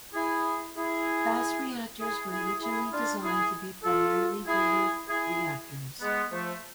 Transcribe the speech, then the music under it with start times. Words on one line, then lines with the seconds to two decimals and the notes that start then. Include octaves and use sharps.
Fast reactors were originally designed to be primarily breeder reactors.
0.14 E4 G#4
0.77 E4 G#4
1.99 E4 G#4
2.30 E4 G#4
2.61 E4 G#4
2.92 D4 F4
3.22 E4 G#4
3.84 F4 A4
4.46 E4 G#4
5.08 E4 G#4
6.01 G#3 B3
6.31 F3 A3